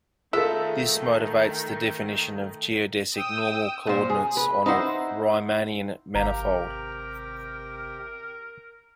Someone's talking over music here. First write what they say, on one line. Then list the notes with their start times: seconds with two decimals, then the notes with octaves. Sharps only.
This motivates the definition of geodesic normal coordinates on a Riemannian manifold.
0.33 D#3 A3 F4 G#4 A4 E5
3.16 G5 D#6 E6
3.87 A#2 C5
4.10 G#4
4.37 B4
4.66 D#4 E4 C5 F#5
6.15 G#1 C3 G4 A#4 F5 G5 A#5